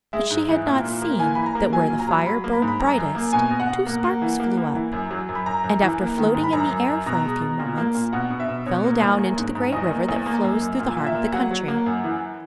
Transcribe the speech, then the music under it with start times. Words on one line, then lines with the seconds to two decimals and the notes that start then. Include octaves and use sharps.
But she had not seen that where the fire burnt brightest two sparks flew up, and, after floating in the air for a few moments, fell down into the great river that flows through the heart of the country.
0.13 G#3 E5
0.30 G#2
0.48 E3
0.66 A#2
0.84 A#2
1.02 A#3
1.19 E3 G#5
1.35 E3 B5
1.46 A#5
1.55 A#3
1.72 F#3 G#5
1.90 A#2
2.00 A#5
2.09 F#3
2.26 F#3 B5
2.44 A#3
2.53 B5
2.62 G#2
2.68 B5
2.80 F#2 A#5
2.98 F#2
3.15 A#3
3.33 B2 G#5
3.51 B2
3.60 F#5
3.69 B2
3.86 A#3
4.04 A#3
4.22 E3
4.40 A#3
4.57 A#3
4.75 E3
4.92 F#2
5.11 F#3
5.29 F#2
5.35 B5
5.46 F#2 A#5
5.64 F#2
5.82 E3
5.99 A#3
6.18 D#3
6.34 G#2
6.44 B5
6.53 F#2 A#5
6.71 F#2
6.88 F#2
7.06 B2 A#5
7.24 G#3
7.41 B2
7.59 A#2
7.78 A#3
7.95 A#2
8.13 B2 F#5
8.30 B2
8.40 E5
8.48 B2
8.66 B2 C#5
8.84 A#3
9.02 E2
9.19 A#3
9.38 G#2
9.55 G#2
9.73 E2 D#5
9.91 A#3
10.09 E2
10.26 A#3
10.44 F#2
10.61 F#2
10.80 A#2
10.97 A#2
11.06 E5
11.15 A#3
11.33 F#3 F#5
11.51 F#3
11.68 A#3
11.86 F#2
12.04 E3